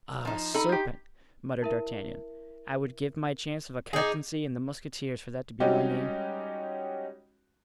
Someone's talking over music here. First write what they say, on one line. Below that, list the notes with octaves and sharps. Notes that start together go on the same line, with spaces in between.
"Ah! serpent," muttered D'Artagnan, "I would give my chance of a captaincy in the mousquetaires for that to be my name."
F3 D#4
D#4 A4 B5
G4 C5
E4 A#4 E5
D#4 G#4 D6 G6 C7
G3 G#3 C#4 D#4 F#4 G4